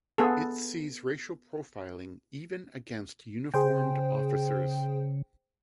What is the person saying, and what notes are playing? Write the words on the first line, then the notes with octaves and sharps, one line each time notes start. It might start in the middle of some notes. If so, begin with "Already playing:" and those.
It sees racial profiling even against uniformed officers.
B3 G#4 A4
C#3 G#4 C5 G5